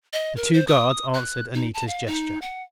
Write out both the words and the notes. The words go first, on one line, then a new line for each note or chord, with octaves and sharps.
The two guards answered Anita's gesture.
D#5
A#4
C5
D#6
F#6
D#4
A5
F5
D#4
F#5